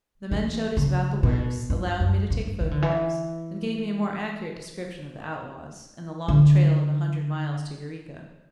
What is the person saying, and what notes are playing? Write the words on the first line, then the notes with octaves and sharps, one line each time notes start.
The men showed us about the works, allowing me to take photographs, and gave me a more accurate description of the outlaws, and the long trail of a hundred miles to Eureka.
E3
C#3
B2
G2
F#2
G2
E3
D3
E3
D3